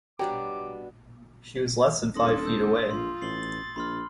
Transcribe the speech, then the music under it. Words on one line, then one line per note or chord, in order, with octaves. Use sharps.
She was less than five feet away.
B2 G3 D4 G4 C#5 G5 A#5 D6
D#1 D4 A4 C6 D#6 A#6
E6 G6
A#1 F4 C6
A1 A6 C7 F#7 G7
A#1 B5 C6 F6